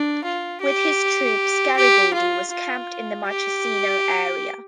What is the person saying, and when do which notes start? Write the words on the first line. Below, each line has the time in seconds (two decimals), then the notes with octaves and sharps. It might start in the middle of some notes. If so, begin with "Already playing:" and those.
With his troops, Garibaldi was camped in the Marchesino area.
Already playing: D4
0.24 F4
0.61 G4
1.76 G4
2.14 F4
2.51 F4
3.28 G4